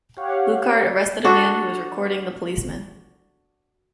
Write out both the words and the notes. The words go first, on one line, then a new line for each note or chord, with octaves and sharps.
Lukart arrested a man who was recording the policeman.
G4 C#5 F5 F#5
D4 F#4 A4